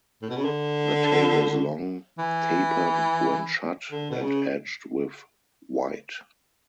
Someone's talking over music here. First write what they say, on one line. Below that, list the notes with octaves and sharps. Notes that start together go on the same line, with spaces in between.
The tail is long, tapered when shut, and edged with white.
A2
B2
C#3
D3
E3
D3
B2
C#3